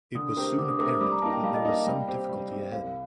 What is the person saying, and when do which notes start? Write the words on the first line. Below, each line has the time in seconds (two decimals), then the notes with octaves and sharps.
It was soon apparent that there was some difficulty ahead.
0.15 D3 D#6
0.37 A3 C4 G4 A#4
0.58 D3 D6
0.69 D#6
0.79 A3 C4 G4 A#4 D6
0.90 D#6
1.00 G3 D6
1.12 A#5
1.21 A#3 D#4 A5
1.32 G5
1.44 G3 F5
1.54 D#5
1.64 A#3 D#4 D#5
1.76 F5
1.86 G3 G5
2.08 C4 G4
2.29 G3
2.51 C4 G4
2.72 C2 F5